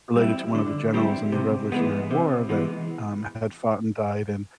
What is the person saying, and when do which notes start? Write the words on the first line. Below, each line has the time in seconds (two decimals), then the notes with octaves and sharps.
related to one of the generals in the Revolutionary War that, um, had fought and died, and,
0.16 G3 C4 E4
0.55 D3
0.94 G3 C4 E4
1.32 C3
1.72 E3 G#3 B3
2.11 C3
2.49 E3 G#3 B3